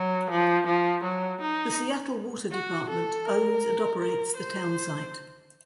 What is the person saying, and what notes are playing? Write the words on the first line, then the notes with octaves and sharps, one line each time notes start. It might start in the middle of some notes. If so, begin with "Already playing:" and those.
The Seattle Water Department owns and operates the townsite.
Already playing: F#3
F3
F3
F#3
D#4
F#4
A4
A#4
A#4
C5